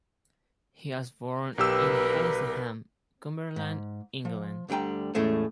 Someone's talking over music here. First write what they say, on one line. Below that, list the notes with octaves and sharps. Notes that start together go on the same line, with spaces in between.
He was born in Hensingham, Cumberland, England.
B1 G4 A#4 B4 E6
G#2
F3
D2 D3 G3 G5 A#5
E2 A2 G#3 A3 C#4